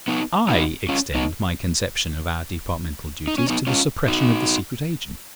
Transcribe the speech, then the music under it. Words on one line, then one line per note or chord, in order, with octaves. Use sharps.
I extend my conception of our departmental duties to the suppression of the secret agent.
B3 D#4
D#4 F#4
C#4 F4
B3 D#4
D#4
C#4
B3 D#4
C#4 F4
D#4 F#4